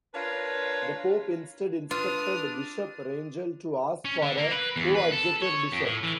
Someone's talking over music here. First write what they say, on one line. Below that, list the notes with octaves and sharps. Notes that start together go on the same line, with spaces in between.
The Pope instead instructed Bishop Rangel to ask for a coadjutor bishop.
D4 F4 A#4 B4 C#5
D4 F4 B4 D#6 F6
C#4
D3
A#3
B4
E2
B4
A4
C#5
F2
A2
E3